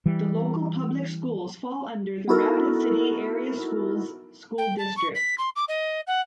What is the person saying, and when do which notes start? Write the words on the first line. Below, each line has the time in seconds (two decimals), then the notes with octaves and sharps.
The local public schools fall under the Rapid City Area Schools school district.
0.06 E3 G3
2.28 B3 D#4 E4 F#4 A4 A#4
4.58 G5
4.78 A5
4.97 C#6
5.14 B6
5.38 C6
5.56 D6
5.68 D#5
6.07 F#5